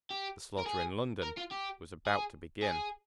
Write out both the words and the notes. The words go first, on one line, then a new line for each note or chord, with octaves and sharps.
The slaughter in London was about to begin.
G4
A#4
G#4
A#4
F4
G4
G#4
G#4